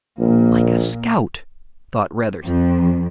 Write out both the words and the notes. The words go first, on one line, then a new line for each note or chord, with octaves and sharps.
"Like a scout," thought Retherton.
A#1 A#2 A#3
F2